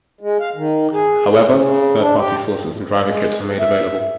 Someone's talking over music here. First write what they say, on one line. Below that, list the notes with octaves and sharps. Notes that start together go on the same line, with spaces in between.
However, third-party sources and driver kits were made available.
G#3
F5
D#3
G#4
A2
C#3
D4
G4
G#3
E5